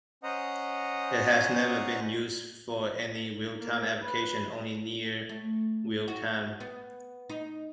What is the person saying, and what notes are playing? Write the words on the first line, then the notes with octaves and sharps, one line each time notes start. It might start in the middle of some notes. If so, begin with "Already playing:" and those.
It has never been used for any real time application, only near real time.
C#4 C5 D#5 F#5 A#5 D#6
A#3
B4
A3
F#4
B3
D#4